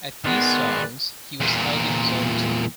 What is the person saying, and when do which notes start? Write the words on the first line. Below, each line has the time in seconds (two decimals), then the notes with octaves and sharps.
At these songs, he was held in his own team.
0.25 D#3 G#3 B3 B4 D5
1.40 E2 A#2